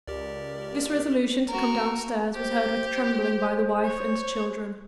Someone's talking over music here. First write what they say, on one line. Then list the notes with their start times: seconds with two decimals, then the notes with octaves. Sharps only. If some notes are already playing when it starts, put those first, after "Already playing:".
This resolution to come downstairs was heard with trembling by the wife and children.
0.07 C#2 G4 A#4 D5
1.48 F#4 A#4
2.34 G4 C5
3.83 C#5